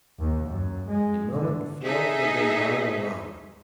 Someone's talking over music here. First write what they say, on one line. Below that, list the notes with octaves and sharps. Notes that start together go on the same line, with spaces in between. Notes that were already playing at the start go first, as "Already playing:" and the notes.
A moment before he had been dying alone.
D#2
F#2
G#3
D3
D#4 G#4 A4 E5